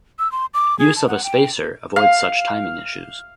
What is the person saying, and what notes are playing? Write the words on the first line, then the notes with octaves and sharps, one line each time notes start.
Use of a spacer avoids such timing issues.
E6
C6
D6
G#4
A5
F#5
G5
F5